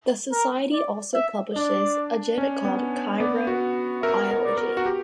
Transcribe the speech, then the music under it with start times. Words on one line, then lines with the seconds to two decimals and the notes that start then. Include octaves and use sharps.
The Society also publishes a journal called "Cryobiology".
0.32 A#4
0.73 D5
1.14 E5
1.55 D4 D5
2.38 C#4
2.65 B3
3.20 B3 D5
3.47 F#4
4.02 A#4 E5
4.31 A#4
4.44 D5
4.57 A#4
4.77 F#4
4.86 G4